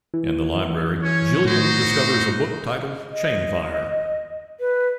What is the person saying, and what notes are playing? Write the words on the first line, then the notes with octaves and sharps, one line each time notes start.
In the library, Jillian discovers a book titled Chainfire.
E3
C#4 C#5
A2 D#4 F#4 C5
D#5
B4